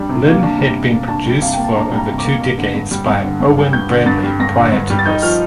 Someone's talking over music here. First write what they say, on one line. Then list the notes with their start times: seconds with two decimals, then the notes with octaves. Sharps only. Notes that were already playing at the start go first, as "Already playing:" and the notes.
Lynn had been produced for over two decade by Owen Bradley prior to this.
Already playing: G3 D4
0.09 C3
0.26 A#3
0.43 D4
0.58 G3
0.75 C3
0.91 A#3
1.08 D4 A5
1.25 G3
1.41 C3 F5
1.53 A#3 G5
1.64 A5
1.75 D4 A#5
1.92 G3 A#5
2.08 C3
2.18 D6
2.25 A#3
2.41 G2
2.58 D3
2.74 G2
2.91 G3
3.08 G2
3.23 D3
3.40 G2
3.57 G3
3.73 G2 G6
3.90 D3
4.06 G2 A6
4.23 G3
4.40 G2 A#6
4.56 D3
4.72 G2
4.90 G3
4.99 A6
5.06 D#4 G6
5.22 F3 F6